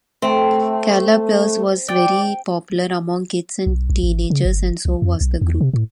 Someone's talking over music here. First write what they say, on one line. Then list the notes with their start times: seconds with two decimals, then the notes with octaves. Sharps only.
Carla Perez was very popular among kids and teenagers, and so was the group.
0.22 A3 C4
1.88 D5 G5
3.66 B1
3.90 A#1
4.03 G#1
4.30 C#3
4.45 G1
4.85 C2
5.02 F2
5.21 B1
5.41 E2
5.61 C3
5.73 A2